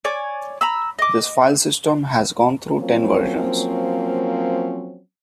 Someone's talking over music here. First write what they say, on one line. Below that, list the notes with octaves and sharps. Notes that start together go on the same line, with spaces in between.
This file system has gone through ten versions.
C#5 D5 G#5
A#5 B5 E6
D#5 D6
F3 F#3 A#3 C4 C#4